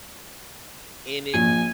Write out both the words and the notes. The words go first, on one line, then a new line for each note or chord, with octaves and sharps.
in it
A#1 G#5